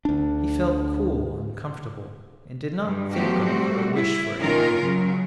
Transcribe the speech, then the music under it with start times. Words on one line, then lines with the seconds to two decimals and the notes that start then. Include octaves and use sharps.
He felt cool and comfortable and did not think of or wish for anything.
0.05 D2 D4
2.84 G2
3.13 F3 F#3 A3 B3 F#4 G4
3.44 G3 A3 C4 F#4
3.94 E4
4.40 D#3 A#3 C#4 F4 A#4
4.80 C#3 F#3